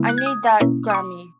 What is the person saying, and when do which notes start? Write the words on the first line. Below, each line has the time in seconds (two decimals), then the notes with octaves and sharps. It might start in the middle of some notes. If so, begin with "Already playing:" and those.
I need that Grammy.
Already playing: C#3 G#3 B3 E4
0.09 F#6
0.18 G#6
0.26 D#6
0.60 B2 A#3 C#4 E4
0.90 D#6
0.94 C#6